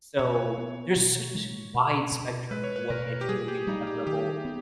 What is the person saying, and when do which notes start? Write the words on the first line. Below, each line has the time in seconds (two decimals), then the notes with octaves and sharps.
So, there's such a wide spectrum to what makes a movie memorable.
0.19 B2 C#5
0.58 B3
0.96 B2
1.35 G#3
1.74 B2
2.12 B2
2.51 G#3 B4
2.64 C#5
2.76 B4
2.90 B2 A#4
3.21 G4
3.29 G3 G#4
3.48 G4
3.67 G3 D#4
3.87 G4
4.07 D#3 G4
4.45 B3